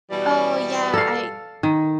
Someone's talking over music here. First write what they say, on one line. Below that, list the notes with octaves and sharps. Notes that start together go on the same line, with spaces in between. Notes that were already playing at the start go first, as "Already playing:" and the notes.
Oh, yeah, I
B2 E3 G3
A4 F5
D#3